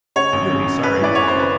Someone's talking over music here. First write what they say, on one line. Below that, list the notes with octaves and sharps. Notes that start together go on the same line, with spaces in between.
"You'll be sorry!"
C#3 C#5
G#1
C#3
C#3
C#3 B4
E3 D5
F#2 C#5
C5
C#3 B4